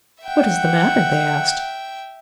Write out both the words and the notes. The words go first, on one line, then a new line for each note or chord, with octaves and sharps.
"What is the matter?" they asked.
E5 F#5 G5